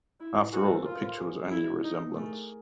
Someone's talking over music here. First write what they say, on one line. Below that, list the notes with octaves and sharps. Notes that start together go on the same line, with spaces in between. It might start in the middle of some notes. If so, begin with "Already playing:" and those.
After all, the picture was only a resemblance.
E4
B4
F#4 G#4 A#4
A4 B4
A#4 C5
F4 A#4 C5
A4 B4
A#4 C5
G#4 A#4
E4
D#4
A3 G#4 A#4